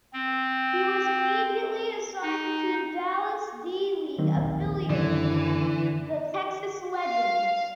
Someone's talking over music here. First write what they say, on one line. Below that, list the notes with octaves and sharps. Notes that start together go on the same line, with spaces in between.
He was immediately assigned to Dallas' D-League affiliate team, the Texas Legends.
C4
D#4
D#3 F#3 A#3 C4
D#1 A#1
F#2 D3 E3 F#3
F5